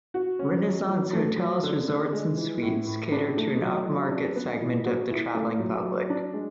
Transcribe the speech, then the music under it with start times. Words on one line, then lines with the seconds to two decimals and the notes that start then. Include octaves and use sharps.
Renaissance Hotels, Resorts and Suites cater to an upmarket segment of the traveling public.
0.14 F#4
0.39 C#4
0.64 F#3
0.89 F#3
1.13 A3
1.38 F#3
1.63 D3
1.88 D3
2.13 G#3
2.37 E3
2.62 A2
2.87 A2
3.12 D4
3.37 A3
3.62 F#3
3.86 F#3
4.11 D4
4.36 B3
4.61 E3
4.85 F#4
5.11 E4
5.35 A3
5.59 F#3
5.84 F#3
6.10 D4
6.34 G#3